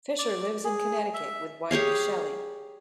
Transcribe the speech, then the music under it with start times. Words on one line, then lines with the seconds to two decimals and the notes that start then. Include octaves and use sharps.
Fisher lives in Connecticut with wife, Shelly.
0.18 D5
0.64 G#4
1.14 E5
1.71 G4 G#4 C#5 F5